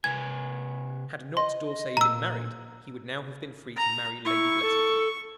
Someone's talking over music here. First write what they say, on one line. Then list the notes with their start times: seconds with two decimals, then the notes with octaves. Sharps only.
Had not D'Orsay been married he would now have been free to marry Lady Blessington.
0.04 C3 B4 G#5 G#6
1.37 D#5 C6
1.97 A#2 A#5 E6
3.76 A#5
4.25 E4 C#6
4.62 A4